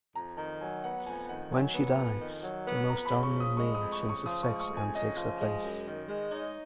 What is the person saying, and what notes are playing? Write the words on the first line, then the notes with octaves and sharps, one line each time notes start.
When she dies, the most dominant male changes sex and takes her place.
F2 A#5
D#3 A#5
F#3 G#5
B3 F#5
F2 G#5
D#3 F#5
F#3 G#5
B3
F2
D#3
F#3
B3
F2 A#5
B5
C#3
C#6
F3
D#6
G#3 C#6
D#6
F2
C#6
C#3
C#6
F3 D#6
C#6
G#3
C#6
F2
G#5
C#3 D#5
F3
G#3
F#2
D#3
G#3
D#4 C#5